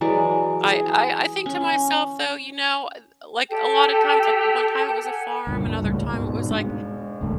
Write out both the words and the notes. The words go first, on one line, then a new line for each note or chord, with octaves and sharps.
I I I think to myself, though, you know, at like, a lot of times, like, one time it was a farm, another time it was, like,
E3 F#3 G#3 D5
G#4
C#4
G4 A4 G5
F#5 G#5
C#2 G2 A#2
C#2 A2 C#3
G#2 B2
G#3 D4
F#1 D#2 B2 A3